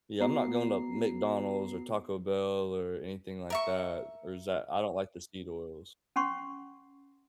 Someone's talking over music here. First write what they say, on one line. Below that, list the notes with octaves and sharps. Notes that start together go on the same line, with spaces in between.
Yeah, I'm not going to McDonald's, or Taco Bell, or anything like that, or it's that I don't like the seed oils.
B3 F#4 A#5 C7
A#4 E5 C#6
C#4 F#5 C6 C#6